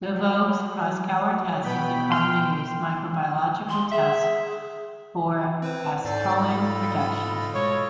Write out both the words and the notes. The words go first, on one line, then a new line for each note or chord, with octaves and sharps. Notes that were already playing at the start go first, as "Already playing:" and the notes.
The Voges-Proskauer test is a commonly used microbiological test for acetoin production.
F#3
B2 B3 G5 B5
G5 C6 F6
C6
G#4 E5
C4 B4 C5
G#2 C#4 A4 C5 D5 A6
F4 A4 D#5 B5
B2 G#3 C#5